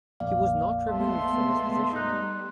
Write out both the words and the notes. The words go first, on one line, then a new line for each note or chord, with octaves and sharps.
He was not removed from his position.
A#1 F2 A#3 D5 F5
G#3 A3 B3 E5 A5 C6
G3 D#4 C6 F#6